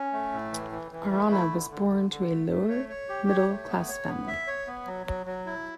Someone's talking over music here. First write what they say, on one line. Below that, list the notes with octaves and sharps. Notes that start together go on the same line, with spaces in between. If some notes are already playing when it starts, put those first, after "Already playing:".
Arana was born to a lower-middle-class family.
Already playing: C#4
A3
A2
E3
E3
E3
A3
E4
D3
D3
D3
D3
A3
A3
C#5
C#5
G4
C#5
A3
B3
C#5
B3
E5
C#5
B3
F#3
F#3
F#3
E4